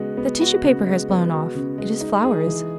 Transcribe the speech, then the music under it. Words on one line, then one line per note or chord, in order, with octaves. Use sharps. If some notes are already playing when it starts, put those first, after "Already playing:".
"The tissue paper has blown off: it is flowers."
Already playing: C#3 G#3 B3 F#4
B3
F#4
C#3
G#3
B3
F#4
C#3
G#3
D#4
G#4
E3